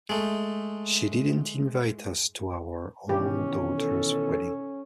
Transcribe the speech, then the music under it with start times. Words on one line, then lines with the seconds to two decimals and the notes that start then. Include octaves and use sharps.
She didn't invite us to our own daughter's wedding.
0.09 G#3 A3
3.09 B2 D#3 E3 C#4 G4
3.77 A4